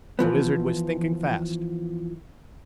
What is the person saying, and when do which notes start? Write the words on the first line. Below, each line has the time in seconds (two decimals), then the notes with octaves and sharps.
The Lizard was thinking fast.
0.19 E3 F3 B3